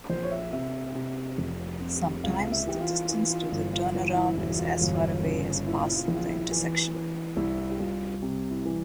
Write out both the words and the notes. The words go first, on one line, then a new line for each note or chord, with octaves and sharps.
Sometimes the distance to the turnaround is as far away as past the intersection.
A#1 C5
C#5
E5
C3 E5
C3
F1
C3
C#2 F5
E5
E3 G4
F4
E3 F4
F4
G1 F4
F4
E3 F4
F4
E4
E1 E4
F4
G1
C#3
A#2 E4
F4
E4
F4
A#1 E4
F4
E4
E3
E3
C2 E4
G4
C2 F4
C3
E4
E3